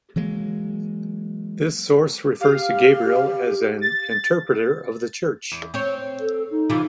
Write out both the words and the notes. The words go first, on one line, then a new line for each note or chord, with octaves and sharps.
This source refers to Gabriel as an "interpreter of the church".
E3 F#3 G#3 A#3
G4 F5
A6
E2
C4 C#5
A4
D#4
C3 E3 F4